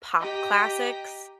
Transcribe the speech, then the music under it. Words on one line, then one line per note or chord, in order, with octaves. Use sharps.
pop classics,
G4 D#5 G5 A#5 B6